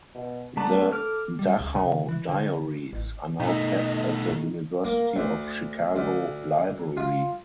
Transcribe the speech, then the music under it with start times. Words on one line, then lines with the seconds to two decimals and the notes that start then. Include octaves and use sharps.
The "Dachau Diaries" are now kept at the University of Chicago Library.
0.15 B2
0.57 G3 A3 B3 D4 A5
0.92 A4 D6 F6
1.39 G3
1.60 C#2
1.76 C#3
2.09 E3
2.29 D3
2.93 A1
3.40 B2 A3 D#4 D#5
4.84 A#3
5.16 D2
5.96 D2
6.97 F4